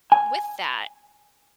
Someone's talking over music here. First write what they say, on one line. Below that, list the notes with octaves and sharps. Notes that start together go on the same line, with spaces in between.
with that,
G#5